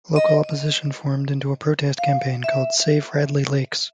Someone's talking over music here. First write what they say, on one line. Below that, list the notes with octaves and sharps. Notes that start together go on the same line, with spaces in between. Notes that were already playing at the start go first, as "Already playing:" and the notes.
Local opposition formed into a protest campaign called Save Radley Lakes.
D#5
F5
E5